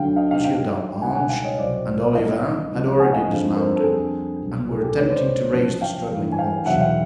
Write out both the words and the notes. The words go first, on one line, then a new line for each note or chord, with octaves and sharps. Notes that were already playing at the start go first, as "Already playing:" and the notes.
Monsieur d'Arminges and Olivain had already dismounted and were attempting to raise the struggling horse.
Already playing: D2 D3 F#3 F5 G5
D#5 F5
F5 G5
F#2 D#3 F#3 F5 G5
C#2 B2 G3 F#5 G#5
F#5 G#5
F5 G5
C#5 D#5
C2 B2 F#3 C5 D5
F#2 D#3 G3 D#5 F5
C#2 C#3 F3
F#5 G#5
D#5 F5
F2 D3 F3
A#4 C5
A4
F2 D3 G3 G#4
C2 B2 F#3
G#4 A#4
G4 A4
C#2 C3 D#3 B4 C#5
C5 D5
F#2 C#3 F3
F5 G5
G2 E3 G3
G#5
F5 G5
E2 B2 F#3 E5 F#5
F5 G5